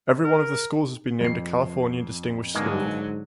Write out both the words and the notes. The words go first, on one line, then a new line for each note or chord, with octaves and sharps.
Every one of the schools has been named a California Distinguished School.
A#4
F2 C7
G#2 B2 D3 F#3 G#3 A#3